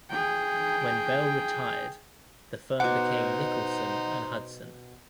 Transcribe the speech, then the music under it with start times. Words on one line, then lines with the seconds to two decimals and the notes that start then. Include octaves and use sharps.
When Bell retired, the firm became Nicholson and Hudson.
0.10 G#4 G5
2.80 B2 D#4 C5 F#5 D6